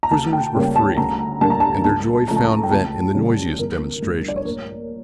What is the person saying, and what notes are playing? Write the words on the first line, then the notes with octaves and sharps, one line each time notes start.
The prisoners were free, and their joy found vent in the noisiest demonstrations.
A#5
D2 A5
G5
C#3 G3 A#3 C#4
A5
D2 A#5
D3 G3 A#3 A5
A#5
A5
C#2 A5
C#3 F3 A3 A#5
A5
A#5
G5
C#2 A5
C#3 E3 G3
G1 A#4
G2 D3 A3
D5
C#5
A#1 A#4